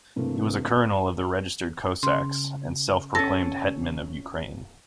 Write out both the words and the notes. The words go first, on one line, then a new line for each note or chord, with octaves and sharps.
He was a colonel of the Registered Cossacks and self-proclaimed Hetman of Ukraine.
G2 C3 E3 A3 A#3 C4
C#3 C6
C#4 A4 A#6